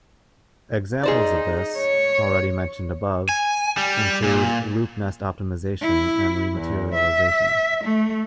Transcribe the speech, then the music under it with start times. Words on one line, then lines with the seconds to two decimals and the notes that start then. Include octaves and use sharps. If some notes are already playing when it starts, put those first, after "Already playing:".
Examples of this, already mentioned above, include loop nest optimization and rematerialization.
1.03 D#4 G#4 C5 D5
1.77 C#5
3.29 G#5
3.77 G3
4.23 A#2
5.82 E4
6.55 E2
6.95 E5
7.84 A3